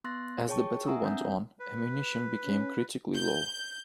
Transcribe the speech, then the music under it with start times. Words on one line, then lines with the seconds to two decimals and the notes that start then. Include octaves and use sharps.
As the battle went on, ammunition became critically low.
0.04 B3 C6 F#6 A6 A#6
0.48 G#4 C#5 G5 A5 C#6
0.86 E5 F#5 G#5 A#5 D#6 E6
1.03 C4 D4 G6
1.60 B4
2.45 C#4
3.15 G6